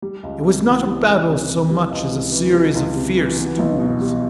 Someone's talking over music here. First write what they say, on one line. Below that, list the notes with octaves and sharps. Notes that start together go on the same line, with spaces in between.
It was not a battle so much as a series of fierce duels.
G3
C#2
C3
E3
G3
C#2
C3
E3
G3
C#2
C3
E3
G3
C#2
C3
E3
B3
B1
B2
G3